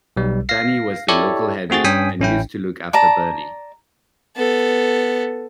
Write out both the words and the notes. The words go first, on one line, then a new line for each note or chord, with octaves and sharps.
Danny was the local heavy and used to look after Bernie.
B1 G3
F5 A#6 C7
E4 G4 A4 C#5 D5
A3 C4 F#4 G#4 A6
G2 C#4 G5 G#5 D#6 B6
A1 C#4 E4 G5
D5 A5 A#5
B3 A4